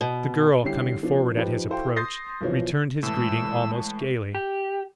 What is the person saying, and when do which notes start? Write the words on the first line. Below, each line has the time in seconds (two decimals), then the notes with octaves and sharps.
The girl, coming forward at his approach, returned his greeting almost gaily.
0.01 B2
0.63 D3 G3 C#4 E4 G4 C7
1.03 B2 F3 D4
1.37 F3 D#4 G4 B4
1.69 E4 F#4 A4 C5 F5 G5
1.96 C6 D#6 G6 A6 A#6 C7
2.41 B1 E3 F3 C#5
3.03 A2 E3 G#3 A5 E6
4.35 G4